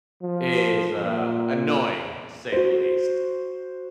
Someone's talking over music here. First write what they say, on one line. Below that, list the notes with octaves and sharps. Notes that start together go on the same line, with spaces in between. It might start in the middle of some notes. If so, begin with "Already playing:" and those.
is, uh, annoying to say the least.
F3
A#2
F#4 C5